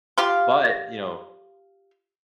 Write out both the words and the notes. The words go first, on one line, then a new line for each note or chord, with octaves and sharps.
but, you know,
F4 G4 F5 C6